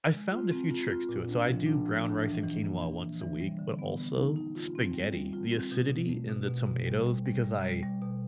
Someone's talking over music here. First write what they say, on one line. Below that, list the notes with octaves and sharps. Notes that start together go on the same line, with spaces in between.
I found a few tricks to it, so I do brown rice and quinoa once a week, but also spaghetti; the acidity in the tomatoes Because I
G#3
F4
C4
F4
F4
A#2
D4
F3
D4
F3
D4
E3
E3
A#3
E3
E3
E3
G3
D3
B3
B3
D#4
D#4
F4
C4
G3
G3
F4
C4
B2
B2
A3
B2
B2
B2
G3
G3
G3
G3
G3
G3
B2